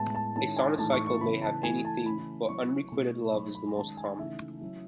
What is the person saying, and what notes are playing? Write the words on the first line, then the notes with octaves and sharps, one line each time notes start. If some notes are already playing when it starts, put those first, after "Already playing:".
A sonnet cycle may have any theme, but unrequited love is the most common.
Already playing: A2 G#3 B3 E4 A5
A5
D#3 G#3 C#4 E4 A5
G#5
A2 E3 A3 D#4 A5
C#6
C#6
C#3 E3 B3 E4 B5
A5
E3 A3 E4 G#5
A5
C#3 E3 A3 C#4 B5
F#3 C#4 E4 C#6
B2 A3 E4
F#3 A3 D#4 B5
B5
D#3 G#3 C#4 A5
G#5
C#3 E3 A3 D#4 E5
F#3 C#4 E4